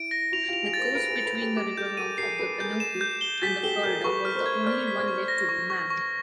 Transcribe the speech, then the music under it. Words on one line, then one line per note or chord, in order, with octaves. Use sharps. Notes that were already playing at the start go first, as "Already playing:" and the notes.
The coast between the river mouth of the Pánuco and the Florida was the only one left to be mapped.
Already playing: E4 D7
A#6
E4 F#4 F7
F4 G4
F7
F#4 G#4
A6
A#4 C5
A4 B4 D7
G#4 A#4
A6
A4 B4
A6
G4 A4
G4 A4 D6
G4 A4 G6
G#4 A#4 D#7
G#4 A#4 C7
A4 B4 C7
G#4 A#4 G6
E7
G6
G7
F#4 G#4 B6
G4 A4 G7
G#4 A#4 G6
A4 B4 C#6
F6
A#4 C5
G#6
C5 D5 F6
B6
C5 D5
C#6
A#6
C#6
C#6
C#6